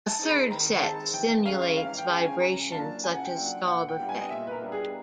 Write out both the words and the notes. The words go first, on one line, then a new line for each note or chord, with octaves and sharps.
A third set simulates vibration such as stall buffet.
A5
G#3 C4 D#4
B5
D#3 A#5
G#3 C4 D#4 A5
E3 G5
G#3 C#4 F5
F5
E3 F5
G5
G#3 C#4
G#5
C#3 A#5
F#3 A#3 D4 F4 A5
C#3 G#5
F#5
G5
F#3 A#3 D4 F4
F#5
A#2 F#5
G5
G3 B3 D4 F4
G#5
D#5
A#2 E5
B4
A#4
G3 B3 D4 F4
G#4